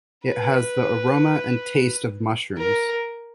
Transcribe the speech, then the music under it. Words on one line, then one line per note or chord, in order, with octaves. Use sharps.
It has the aroma and taste of mushrooms.
B4
A#4